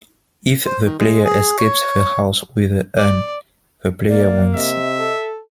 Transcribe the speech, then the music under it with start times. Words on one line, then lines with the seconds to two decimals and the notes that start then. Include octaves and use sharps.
If the player escapes the house with the urn, the player wins.
0.65 C5
0.85 D#3
0.99 G#3
1.24 G#4
1.58 C#5
2.97 D5
4.08 A#3 D5
4.55 C3 D#5 E5
4.97 A4